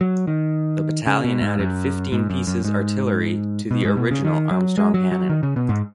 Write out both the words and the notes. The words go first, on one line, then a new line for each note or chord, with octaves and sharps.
The battalion added fifteen pieces artillery to the original Armstrong cannon.
F#3
D#3
C#3
B2
G#2
F#2
G#2
F#2
F#2
G#2
B2
G#2
B2
C#3
D#3
F#3
G#3
F#3
F#3
D#3
C#3
B2
G#2